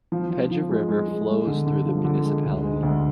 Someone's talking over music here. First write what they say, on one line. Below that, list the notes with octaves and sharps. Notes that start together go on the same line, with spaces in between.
Pedja River flows through the municipality.
F3
F3
F3
G#3
G#3
G#3
G#3
D3
D3
F3
D3
G#3
D2
G#3
D2